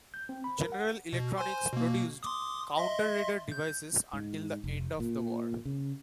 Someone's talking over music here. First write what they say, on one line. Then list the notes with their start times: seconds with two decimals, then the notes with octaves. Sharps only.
General Electronics produced counter-radar devices until the end of the War.
0.14 G6
0.29 C4
0.44 B5
0.59 A#4
0.72 F#5
1.13 B2
1.38 C5 G#5 C6
1.73 B2 A#3
2.23 C6 D6 D#6
2.77 D#5 E5 C6
3.52 G6
4.13 G#2
4.64 F1
5.00 A#2
5.65 C#3